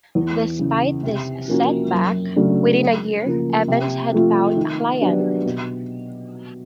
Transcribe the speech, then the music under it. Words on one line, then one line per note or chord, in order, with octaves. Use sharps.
Despite this setback, within a year Evans had found a client.
E2
C#3 E3
C3
F3 A#3 C#4 F#4
F#2
C#3 F#3 A3 D4
F#2
C#3 F3 A#3
C3
F3 A3 C4 F4
D#3
F#3 B3 D4 G4
B2